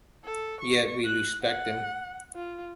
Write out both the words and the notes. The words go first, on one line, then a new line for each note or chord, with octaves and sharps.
Yet we respect them.
A4
C#6
F#6
F#5
F4